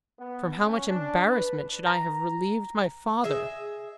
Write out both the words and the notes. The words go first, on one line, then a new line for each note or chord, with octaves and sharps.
From how much embarrassment should I have relieved my father!
B3
C#4
D4
B4
A#5
G#4 D#5 E5